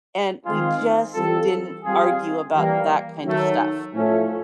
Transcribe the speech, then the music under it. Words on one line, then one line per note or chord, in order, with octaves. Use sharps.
and we just didn't argue about that kind of stuff,
D#3 G#3 C4 F4 G#4
E3 G3 C4 F4 A4
G3 C4 F4 G#4
E3 G3 A#3
D#3 F#3 A3
A2 F3 A3 C#4